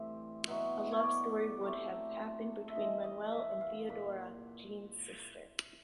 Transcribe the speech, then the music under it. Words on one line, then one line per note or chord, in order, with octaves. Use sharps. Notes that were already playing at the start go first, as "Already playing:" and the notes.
A love story would have happened between Manuel and Théodora, Jean’s sister.
Already playing: A2 E3 G3 C4 E5
B2 F#3 B3 E4
C#5
D5
F#3 A3 C4
E5
C#3 E3 G#3 D#5
D#5
E5
F5
A#2 B5